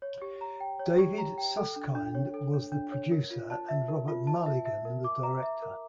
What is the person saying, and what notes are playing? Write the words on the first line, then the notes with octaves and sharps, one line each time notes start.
David Susskind was the producer and Robert Mulligan the director.
C#5
G4
A#5
G5
C#5
G4
A#5
G5
A4
D4
D4
C#5
A4
D4
D4
C#5
A#4
F4
A5
E5
A#4
F4
A5
E5
E5
A#4
D6
A#5
E5
A#4